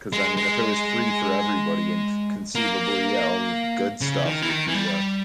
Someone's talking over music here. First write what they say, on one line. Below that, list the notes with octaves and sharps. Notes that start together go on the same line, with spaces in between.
'Cause, I mean, if it was free for everybody and conceivably, eh, all the good stuff would be, uh,
G#3
G#3
A#3
C#3
D#3
E3
D#3
E3
G3